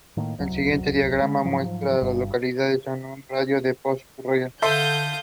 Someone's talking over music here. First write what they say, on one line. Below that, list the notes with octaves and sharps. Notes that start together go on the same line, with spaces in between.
Like many other prisoners Flynn endured torture and prolonged periods of solitary confinement.
A2 D#3 A#3
D1 C2 F#2 F#3
D3 G#3
G#2 F3 F#3
G1 G2
D3 A4 E5 F5 C6 D#6 G6